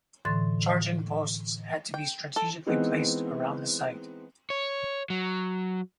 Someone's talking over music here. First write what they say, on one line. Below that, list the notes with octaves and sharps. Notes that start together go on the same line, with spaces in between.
Charging posts had to be strategically placed around the site.
A2 D3 E3 C6 A6
G5
A4
E3 G#3 B3 C4 D#4 G#4
C#5
F#3